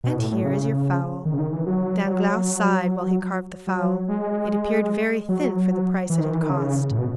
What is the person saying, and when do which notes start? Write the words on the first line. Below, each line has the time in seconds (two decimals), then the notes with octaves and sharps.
"And here is your fowl." Danglars sighed while he carved the fowl; it appeared very thin for the price it had cost.
0.04 B2
0.18 A2
0.31 A2
0.44 C#3
1.25 D#3
1.34 C#3
1.39 D#3
1.52 E3
1.66 F#3
2.06 F#3
3.67 F#3
4.08 G#3
5.29 F#3
6.10 E3
6.20 D#3
6.30 E3
6.43 D#3
6.49 C#3
6.91 A2
6.98 B2